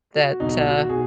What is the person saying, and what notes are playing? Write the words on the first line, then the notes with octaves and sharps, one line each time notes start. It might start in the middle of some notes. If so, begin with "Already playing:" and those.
that, uh,
F#4
B1 B2 D#4
F#4
F#4
F#4
B2 G#4